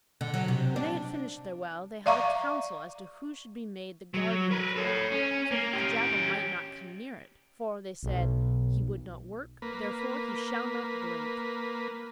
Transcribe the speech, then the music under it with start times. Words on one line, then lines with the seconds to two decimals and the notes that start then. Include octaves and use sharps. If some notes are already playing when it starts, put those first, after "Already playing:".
When they had finished their well, they held a council as to who should be made the guardian of the well, so that the jackal might not come near it, for, they said, 'he would not work, therefore he shall not drink.'
0.21 D3
0.34 F#3
0.48 C3
0.76 D4
2.06 D5 E5 F5 A#5 C#6 D6
4.14 F#3
4.51 A#4 B4
4.76 A4 C#5
5.12 C#4
5.51 A#3
5.73 C#4 G4
8.03 B1
9.62 A#3 B4